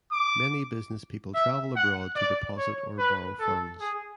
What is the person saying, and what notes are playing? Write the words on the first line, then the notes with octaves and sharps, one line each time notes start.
Many business people travel abroad to deposit or borrow funds.
D6
E5
F#5
D5
C#5
B4
A4
G#4